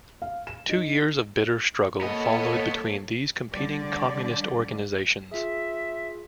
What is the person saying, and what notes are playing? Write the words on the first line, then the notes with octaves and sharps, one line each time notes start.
Two years of bitter struggle followed between these competing Communist organizations.
F5
E7
D#4
A#3 B3 A4 C#5 D#5
D3 G3 D5
F4 G#4 E5